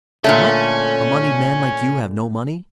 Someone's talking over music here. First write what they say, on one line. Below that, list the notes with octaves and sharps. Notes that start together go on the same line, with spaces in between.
"What! a moneyed man like you have no money?"
A#2 D3 A3 C#4